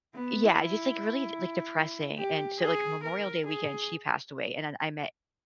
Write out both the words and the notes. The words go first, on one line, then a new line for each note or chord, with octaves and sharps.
Yeah, it's just, like, really, like, depressing. And so, like, in Memorial Day weekend, she passed away. And then I met
B3
E4
G4
G#4
A#4
G#4